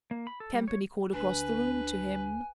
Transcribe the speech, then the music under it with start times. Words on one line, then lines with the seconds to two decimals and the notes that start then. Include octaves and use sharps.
Campany called across the room to him.
0.11 A#3
0.27 B5
0.40 A4
0.54 G3
0.68 C#5
1.13 D2 D4 B4 G#5